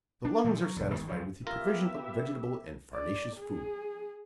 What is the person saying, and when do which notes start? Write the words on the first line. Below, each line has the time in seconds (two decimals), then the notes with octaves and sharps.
The lungs are satisfied with a provision of vegetable and farinaceous food.
0.25 D4
0.44 A#2 E3 F3 G3
0.61 F#3
0.76 B1 E2
0.92 G1 D#3 G#3 B3
1.08 C#2 F#2 C#3 F3
1.47 B3 F4 G4 A#4 E5
2.94 D5
3.37 G#4